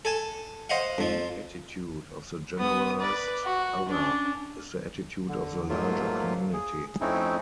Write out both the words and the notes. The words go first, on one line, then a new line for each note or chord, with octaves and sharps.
The attitude of the generalized other is the attitude of the larger community.
A4 G#5 A5
C5 D#5 F5 F#5
F2 F3
B3 D#6
B4 D5
F#4
C#4 D4
D3
G#2 F#3 A3 A#3 F4
G#4
F2 A3 C4 C#4 D#4 E4